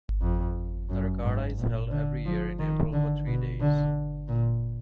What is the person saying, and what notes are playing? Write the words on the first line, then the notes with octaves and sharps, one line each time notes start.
The regatta is held every year in April for three days.
F2
F#2
G#2
A#2
D3
F3
D#3
D3
B2
D3
A#2